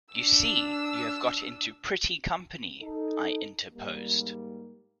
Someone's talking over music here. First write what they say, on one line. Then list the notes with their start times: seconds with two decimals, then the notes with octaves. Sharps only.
'You see you have got into pretty company,’ I interposed.
0.14 D4 E6
2.82 D#4 A4
3.74 G#2 G3 A#3